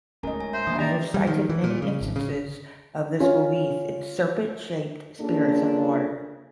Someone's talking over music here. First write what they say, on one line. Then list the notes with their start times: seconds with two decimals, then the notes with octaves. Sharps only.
I have cited many instances of this belief in serpent-shaped spirits of water.
0.23 D1 G#3 A3 C#4 A#4 D#5 G#5 A#5
0.41 G#5
0.53 C5 E5
0.67 E3 G#3 A#3 D4 D#6
0.79 A#3 C#4 G4 D5 A#5 A6
1.14 G3
1.27 D#3
1.49 E3
1.64 A#2
1.82 C#3
2.01 G#1
2.16 C#3
3.20 C#4 F4
5.21 A#3 C#4 D4 F4 G#4 A4